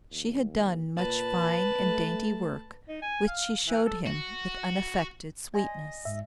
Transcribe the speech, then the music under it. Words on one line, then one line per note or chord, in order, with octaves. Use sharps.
She had done much fine and dainty work which she showed him with unaffected sweetness.
D#2
A#2 B4 A5
A3
D#4
G#5
F5
E3
A4
F#4
D5 D#5 G#5 C6
G#2 E5